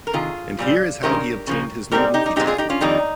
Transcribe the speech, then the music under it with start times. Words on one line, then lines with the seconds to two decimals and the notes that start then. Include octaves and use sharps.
And here is how he obtained his new movie tag.
0.07 A#4
0.13 C3 D#3 F4 G#4
0.59 A#2 G3 C4
1.03 G2 D#3 G#3 C#4 G4 A#4
1.47 C#3 F3 A#3
1.91 G#2 G3 C4 G4 A#4
2.14 D#4 G4
2.26 D#4
2.36 A#2 F3 G#3 C4 D#4 G4
2.47 F4 G#4
2.58 D#4 G4
2.70 C#4 F4
2.81 F2 D#3 G3 A#3 D#4